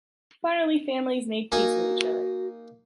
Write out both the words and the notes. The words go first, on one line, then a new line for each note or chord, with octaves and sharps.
Finally, families made peace with each other.
A#3 D#4 F#4 G#5